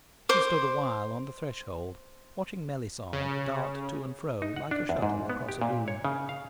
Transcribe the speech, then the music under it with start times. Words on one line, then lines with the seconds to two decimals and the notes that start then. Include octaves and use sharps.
She stood awhile on the threshold, watching Melisande dart to and fro like a shuttle across a loom.
0.29 C5 D6
3.13 C#3
4.42 D#4
4.56 F#5
4.71 D4
4.89 E2
5.02 G#2
5.30 B3
5.49 G4
5.61 A#2
5.88 C#5
6.05 C#3
6.29 F5